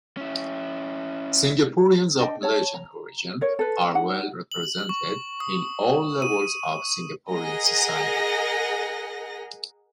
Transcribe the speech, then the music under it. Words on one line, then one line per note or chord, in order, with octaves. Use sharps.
Singaporeans of Malaysian origin are well represented in all levels of Singaporean society.
C#4 E4
D4 D#5 G5
C#5 A5
A#5
A#4 C#5
A4 B4
D#4 F#5
F#7
C#6
D#6
D#7
G#4 A#4 D#5 F#5 A#6